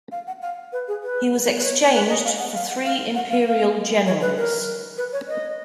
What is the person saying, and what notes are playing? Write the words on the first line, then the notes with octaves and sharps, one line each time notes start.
He was exchanged for three imperial generals.
F5
F#5
F5
B4
G#4
B4
B4
C#5
B4
D#5
F5
F#5
F5
F#5
F5
F#5
F5
F5
C#5
B4
A#4
B4
C#5
D#5